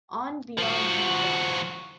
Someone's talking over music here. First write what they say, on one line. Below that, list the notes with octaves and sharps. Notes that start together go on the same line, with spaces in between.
On Beyond Zebra!
F3 F#4